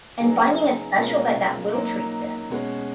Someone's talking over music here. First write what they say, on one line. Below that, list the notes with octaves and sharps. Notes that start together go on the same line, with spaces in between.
And finding a special vet that will treat them.
C#3 F#3 B3 D#4 G#4
B2 G#3 C#4 F4 A#4
F#3 A#3 D#4
B2 G#3 C#4 F#4